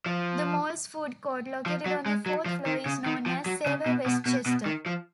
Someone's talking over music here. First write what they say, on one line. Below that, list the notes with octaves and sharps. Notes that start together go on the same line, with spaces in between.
The mall's food court, located on the fourth floor, is known as Savor Westchester.
F3
F3
F#3
G#3
F#3
F3
D#3
C#3
D#3
F3
F#3
C#3
B2
B2
B2
B2
D#3
F3